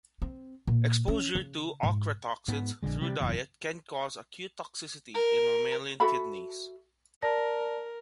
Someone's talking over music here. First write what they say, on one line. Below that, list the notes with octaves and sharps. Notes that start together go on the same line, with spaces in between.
Exposure to ochratoxins through diet can cause acute toxicity in mammalian kidneys.
C4
A#2
C#4
C#3
G#2
G#2 B3
A#1 D3 G#3
C3 G3
F#1 E2 A#2
A#4
F#4 A4 E5 B5
A#4 D5 A5 A#6